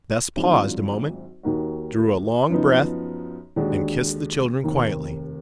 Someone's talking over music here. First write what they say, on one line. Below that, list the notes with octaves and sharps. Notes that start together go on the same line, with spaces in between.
Bess paused a moment, drew a long breath, and kissed the children quietly.
G#1 G#2 F#3 D4 F4
D#2 D#3 A#3 D#4 F#4
F#2 F3 B3 D#4
D#2 D3 G#3 D4 F#4
F1 D#2 D#3 A#3